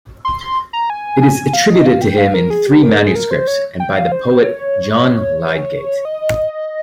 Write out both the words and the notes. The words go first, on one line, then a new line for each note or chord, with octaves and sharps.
It is attributed to him in three manuscripts and by the poet John Lydgate.
C6
C6
A#5
G#5
G#5
F5
D#5
F5
G5
F5
A#4
G#4
G4
A#4
G#4
A#4
C5
C#5
G5
F5
C5
C#5
D#5